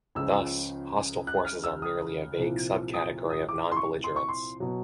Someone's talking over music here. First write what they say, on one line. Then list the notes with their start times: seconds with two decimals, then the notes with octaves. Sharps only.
Thus, hostile forces are merely a vague sub-category of non-belligerence.
0.15 C#2 C#3 F3 E6
1.27 F#6
1.45 F6
1.64 E6
1.82 D#6
2.38 C2 A#2 F3
2.94 D#6
3.30 D#6
3.49 D6
3.72 C6
3.76 C#6
4.04 C6
4.16 C#6
4.29 C6
4.60 B2 F#3